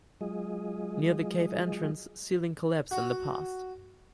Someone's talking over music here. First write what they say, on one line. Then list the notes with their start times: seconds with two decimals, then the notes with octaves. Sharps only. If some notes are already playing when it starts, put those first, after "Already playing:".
Near the cave entrance ceiling collapsed in the past.
0.21 F#3 G#3 F4 G#4 D#5
2.91 F#4